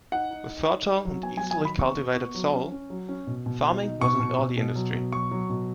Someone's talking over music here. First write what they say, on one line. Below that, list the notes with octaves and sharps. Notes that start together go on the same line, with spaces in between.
With fertile and easily cultivated soil, farming was an early industry.
D#4 F#5
D#4
D#4
D#4
D#4
F#3
B3 G#5
G#5
F#3
G#5
D#3 B5
B3 C#6
B3
B3
F#3
C#4
C#4
F#3
C#4
B2
B2
D#4
D#4
B2 C#6
B2
B2
B2
F#3
B2
F#3 C#6
F#3
B2